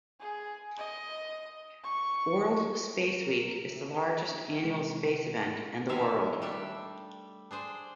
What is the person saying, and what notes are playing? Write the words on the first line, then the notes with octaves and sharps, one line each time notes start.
World Space Week is the largest annual space event in the world.
G#4
D#5
C#6
A#4
E3 G4 E5
C3 G#3
D#3 F3 E5 F5 G#5
G3 A3 D4 E5
D4 G#4 C5